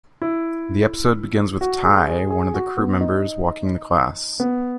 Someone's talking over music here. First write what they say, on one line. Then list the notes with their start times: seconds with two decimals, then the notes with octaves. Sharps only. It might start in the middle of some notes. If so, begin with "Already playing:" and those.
The episode begins with Ty, one of the crew members, walking to class.
0.22 E4
1.61 F#4
1.84 G#4
2.08 G#4
2.30 G#4
2.54 F#4
2.77 B3
3.01 D#4
4.40 B3